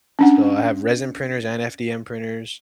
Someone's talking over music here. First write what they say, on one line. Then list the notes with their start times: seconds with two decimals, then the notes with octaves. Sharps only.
So, I have resin printers and FDM printers.
0.19 C#4 D4 F#5